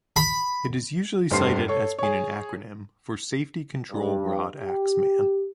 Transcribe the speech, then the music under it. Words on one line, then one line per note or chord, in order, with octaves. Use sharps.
It is usually cited as being an acronym for safety control rod axe man.
B5
F1 G2 C4 C6 C7
A4 C#5
G#4 C#5
G2
G4